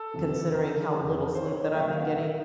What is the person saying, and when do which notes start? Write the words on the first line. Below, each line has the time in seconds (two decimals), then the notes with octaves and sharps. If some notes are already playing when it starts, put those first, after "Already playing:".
considering how little sleep that I've been getting
Already playing: A4
0.14 E2 C3 E3
0.54 A#4
0.94 F2 C3 E3
1.35 C5
1.44 C#5
1.54 C#5
1.65 D#5
1.74 A#2 F#3 E5
1.89 F5
2.01 F#5
2.15 E5